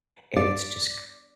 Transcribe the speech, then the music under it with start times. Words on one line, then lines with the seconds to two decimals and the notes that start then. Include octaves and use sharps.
and it's just c
0.36 D5